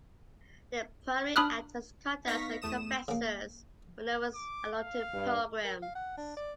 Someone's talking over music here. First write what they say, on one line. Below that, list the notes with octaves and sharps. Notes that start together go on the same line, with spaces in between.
They primarily act as contacts and confessors for the numerous Altötting pilgrims.
D4 B5 D#6 F6 F#6
B3 D#4 F5 C#6 A#6 B6
E2 A3 D#6 E7
C#3 A#3
D6
F5
G2
A#4
F5
F#5
D4
D5